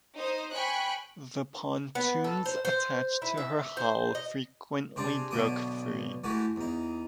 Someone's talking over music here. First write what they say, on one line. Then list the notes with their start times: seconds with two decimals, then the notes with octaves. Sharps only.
The pontoons attached to her hull frequently broke free.
0.17 D#4 C5 D#6
0.51 G5 G#5 B5 C#6 F#6
1.95 B3
2.24 A4
2.46 C5
2.65 C5
3.22 E4
3.37 E5
3.77 C5
4.15 D#5
4.96 C3 C4 D4 G#4 D5
5.31 B1 B2 D3 B3 D6 D#6
6.24 E3 G#3 A3 F#4 G4
6.56 E2 D#4